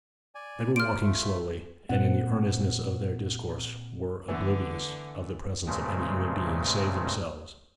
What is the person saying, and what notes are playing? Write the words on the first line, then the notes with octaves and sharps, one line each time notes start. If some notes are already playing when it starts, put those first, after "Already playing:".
They were walking slowly, and in the earnestness of their discourse were oblivious of the presence of any human beings save themselves.
D5 G#5
F4 C5 D5 F6 D7
A3 F4
A#2 C4 F#5
D3 E3 A3 B3
G2 A#2 C#3 G#3 A3 C4